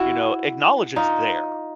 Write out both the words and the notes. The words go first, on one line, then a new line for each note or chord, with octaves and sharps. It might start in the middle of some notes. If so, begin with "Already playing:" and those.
You know, acknowledge it's there.
Already playing: E4 F#4
D#4 F4